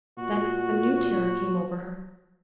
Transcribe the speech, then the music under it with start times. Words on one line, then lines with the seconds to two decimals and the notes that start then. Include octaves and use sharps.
Then a new terror came over her.
0.18 A#2 F#4